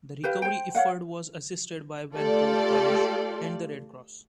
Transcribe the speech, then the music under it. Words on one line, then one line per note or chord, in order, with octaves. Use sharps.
The recovery effort was assisted by Vanport College and the Red Cross.
G4 B4 F5
C5 G5
C#5 F5 F#5
A3 F4 G4 A4 D5